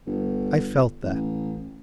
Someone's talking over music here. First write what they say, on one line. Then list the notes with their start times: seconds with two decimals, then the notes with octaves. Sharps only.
I felt that.
0.07 G1
1.03 A1